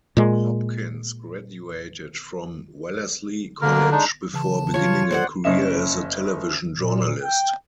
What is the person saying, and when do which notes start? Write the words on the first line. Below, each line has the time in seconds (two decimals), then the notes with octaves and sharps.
Hopkins graduated from Wellesley College before beginning a career as a television journalist.
0.17 A#2 G#3
3.61 B2 D3 A#3 A#4
3.92 G#3 D4 D#4
4.34 C#3 E3 A5
4.74 F4 C#5
5.11 F#3 A4 C5 D5 F#5 G#6
5.44 F#1 C#4 D#5 E5 E7
6.76 A#2
7.23 G5